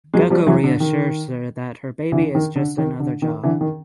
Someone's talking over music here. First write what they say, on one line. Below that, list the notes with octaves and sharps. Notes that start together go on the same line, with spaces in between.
Gekko reassures her that her baby is just another job.
F#3 G#3
F3 G3
E3 F#3
D3
D#3
D3 E3
D#3
D3
D#3
D3
D#3
D3 E3
D#3